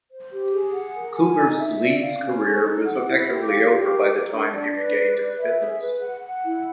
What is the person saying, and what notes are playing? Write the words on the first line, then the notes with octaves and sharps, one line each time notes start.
Cooper's Leeds career was effectively over by the time he regained his fitness.
C5
G4
G#4
F#5
A#4
G#5
D#4
E5
D5
F5
C#4
A4
D#4
F#5
E4
G4
F5
G4
A#4
A#4
D4
D5
B4
D5
B4
E5
G#4
B4
F#5
F#5
E4